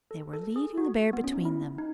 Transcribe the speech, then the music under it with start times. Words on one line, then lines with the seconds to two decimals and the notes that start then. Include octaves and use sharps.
They were leading the bear between them.
0.11 A4
0.33 A4
0.56 G#4
0.78 F#4
1.13 B3
1.24 C#4
1.34 D#4
1.45 E4
1.78 D#4